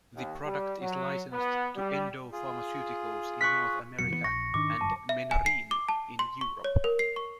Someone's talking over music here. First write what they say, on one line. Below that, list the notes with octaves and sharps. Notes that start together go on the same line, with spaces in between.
The product is licensed to Endo Pharmaceuticals in North America and Menarini in Europe.
D#2
G3
F#3
B3
G3
F4 G#4
C#6 F#6 B6
F1 B2 F#3 C#7
E3 F#3 B3
A#1 C#6 A#6
G#2 D#3 D4 D6
G1 F#2 A5
E5
G#5
C7
D6
A5
C6
C#6
C#5
A#4
C7
C#6